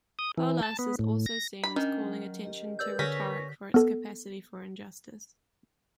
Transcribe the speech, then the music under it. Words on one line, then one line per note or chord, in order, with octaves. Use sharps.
Polus is also seen as calling attention to rhetoric for its capacity for injustice.
D#6
E3
A5
B3
A2
A#6
D4 B5
D#3 C#4
F#3
G4 D#5
G4 A#4 B4 D5 E6 G6
D3 C#4 A#6 B6
B3 A4